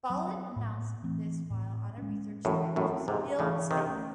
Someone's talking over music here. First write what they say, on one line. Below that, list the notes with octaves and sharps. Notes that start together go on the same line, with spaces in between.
Follett announced this while on a research trip to Seville, Spain.
F#3 C4
A2
E3 A3 C4
A2
G#3 C#4
F#2 A2 E3
F#2 A2
C4
G#2 C3
A2 C#3 E3
C3 D#3
A3 C#4